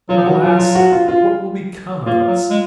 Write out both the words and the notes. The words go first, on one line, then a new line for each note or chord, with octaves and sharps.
Alas, what will become of us?
F#3 F4
F3
F#3 F#4
F#3 F4
F4
F#4
F4
F4
A#3 F4
F#3
G#3